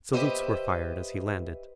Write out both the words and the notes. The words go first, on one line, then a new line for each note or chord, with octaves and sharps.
Salutes were fired as he landed.
G4 B4 C5 D#5 E5